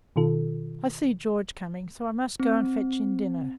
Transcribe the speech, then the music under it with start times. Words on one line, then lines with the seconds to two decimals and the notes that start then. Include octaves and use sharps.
'I see George coming, so I must go and fetch in dinner.
0.16 B2 D#3 F4 A4
2.40 C4